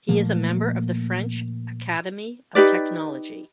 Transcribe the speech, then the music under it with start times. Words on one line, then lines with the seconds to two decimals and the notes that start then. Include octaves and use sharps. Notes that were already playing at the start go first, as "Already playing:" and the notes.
He is a member of the French Academy of Technology.
0.09 A#2 F3 A3 A#3
2.55 D#4 G4 B4 D5